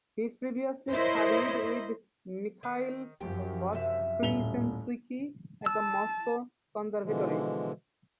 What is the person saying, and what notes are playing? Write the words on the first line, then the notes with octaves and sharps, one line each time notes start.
He previously studied with Mikhail Voskresensky at the Moscow Conservatory.
E4 A#4 C5 C#5 D#5 E5
D#3
F#2 F3 G4
C3 E5
D#1 A2 F7 G7
A5 E6
B2 D3 E3 F3 G#3